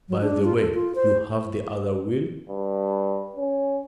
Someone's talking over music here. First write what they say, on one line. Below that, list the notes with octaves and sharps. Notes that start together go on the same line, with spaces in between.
"By the way, you have the other will?"
F#3
D4
F4
A4
F4
C5
G2
C#4